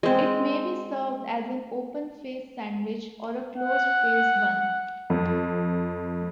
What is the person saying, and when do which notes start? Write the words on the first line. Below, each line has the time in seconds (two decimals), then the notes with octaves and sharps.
It may be served as an open face sandwich or a closed face one.
0.03 G#3 C4
3.56 F#5
5.10 F2